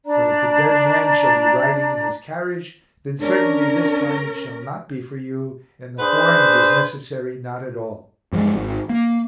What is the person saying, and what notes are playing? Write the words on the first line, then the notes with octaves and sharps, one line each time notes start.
But if the dead man shall be riding in his carriage, then certainly this time it shall not be for you and the horn it is necessary not at all.
D4 D5 A#5
C#4 D4 A#4
D4 G#4 B4 C5
G2 F3 F#3 G#3
G#1
A#3